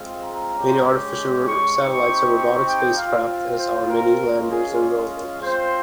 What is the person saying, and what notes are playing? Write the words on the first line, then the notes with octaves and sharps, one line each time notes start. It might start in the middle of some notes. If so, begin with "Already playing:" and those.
Many artificial satellites are robotic spacecraft, as are many landers and rovers.
Already playing: G#3 C4 F4
A#5
G#3 C#4 G4
C#6
C4 D#4 G4 C#6
C#6
G5
C4 F4 F5
C5
A#4
G#3 C#4 F4
G#4
C4 F4 C5